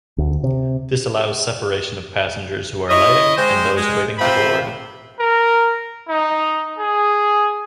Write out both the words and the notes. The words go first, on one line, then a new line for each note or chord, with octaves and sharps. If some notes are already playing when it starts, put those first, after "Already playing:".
This allows separation of passengers who are alighting and those waiting to board.
D2
C3
E4 C#5 D#5
G#3 C4 C5
G#3
C3 F4 C5 E5 B5
A#4
D#4
G#4